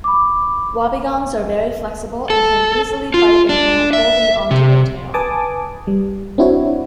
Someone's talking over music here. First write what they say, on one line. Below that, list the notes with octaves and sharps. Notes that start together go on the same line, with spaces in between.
Wobbegongs are very flexible and can easily bite a hand holding onto their tail.
B5 D6
A4
F4
D4
E5
C3
B4 G#5 A5 D6 D#6
G3
C4 D4 E4 F#4 C#5